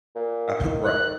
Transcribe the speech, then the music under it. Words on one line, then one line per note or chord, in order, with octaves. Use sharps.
I've Right,
A#2
D#3
F#6